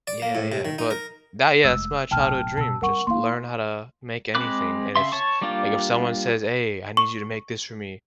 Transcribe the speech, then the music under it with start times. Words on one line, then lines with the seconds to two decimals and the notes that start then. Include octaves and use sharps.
yeah, yeah, but that yeah, that's my childhood dream, just learn how to make anything and if s like, if someone says, "Hey I need you to make this for me,"
0.07 D5
0.22 A#3
0.35 A2
0.52 C3
0.65 D#3
0.78 D#4
0.91 A#4
1.64 F1 G#3 E6
2.11 D1 B1 G5 A5 F6
2.57 B2 A5 E6
2.82 G3 C4 A#4 F#5 C#6
3.07 A#3 E4 F5 C6
4.35 G#3 C4 B5 D6 F#6
4.96 C#3 E5 C6
5.12 C#5 A5 C#6
5.42 G3 A#3 D4 F4 G4
6.97 C#6